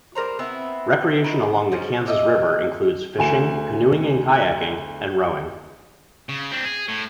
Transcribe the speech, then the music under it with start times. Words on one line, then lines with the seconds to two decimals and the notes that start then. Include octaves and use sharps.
Recreation along the Kansas River includes fishing, canoeing and kayaking, and rowing.
0.15 G3 A#4 C5 A#5
0.39 B3 C4 E4 E5
1.24 D#3 B4
1.72 F3 C#4 F#4
2.06 G4 D#5 E5
3.18 D2 G#5 E7
6.29 C#3
6.52 C4 D4
6.65 G#4
6.89 A2